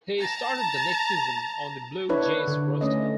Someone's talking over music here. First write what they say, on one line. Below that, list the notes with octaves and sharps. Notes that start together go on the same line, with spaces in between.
He started the next season on the Blue Jays' roster.
A5 A#5
D4 E4 B4 C#5
D3
A3 C#4 D#5